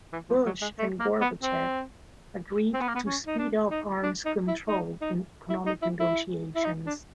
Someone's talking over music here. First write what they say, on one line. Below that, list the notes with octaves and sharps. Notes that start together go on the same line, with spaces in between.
Bush and Gorbachev agreed to speed up arms control and economic negotiations.
E3
F3
F#3
G#3
A3
A#3
B3
C4
C4
B3
A#3
B3
C#4
D#4
D4
D#4
D4
D#4
E4
D#4
D#4
E4
D#4
E4
E4
E4
D#4
D4